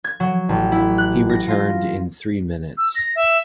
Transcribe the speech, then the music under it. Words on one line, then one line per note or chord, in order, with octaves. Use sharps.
He returned in three minutes.
G#6
F#3
A1
E4
F#6
A#6
F4
E6
A#6
E5